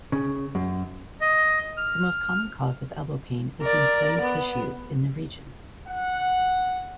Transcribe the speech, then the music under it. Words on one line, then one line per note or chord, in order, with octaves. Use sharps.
The most common cause of elbow pain is inflamed tissues in the region.
C#3
F#2
D#5
F6
A#4 D5
B3
F#5